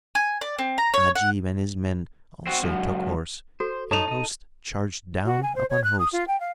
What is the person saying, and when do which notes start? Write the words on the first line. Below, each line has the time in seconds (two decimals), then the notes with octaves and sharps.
Ajib and his men also took horse and host charged down upon host.
0.15 G#5
0.41 D5
0.59 C4
0.78 A#5
0.94 C#5
1.15 F#5
2.47 C4 F#4
2.63 C#2 F#2
3.60 F#4 A4 C5
3.91 D#4 A4 C#5 A5 E7 F7
4.08 D#4 D#5
5.25 F#4
5.42 G#5
5.55 C5
5.70 C#5
5.84 F#6
5.99 D#6
6.12 F4
6.27 G5
6.40 F5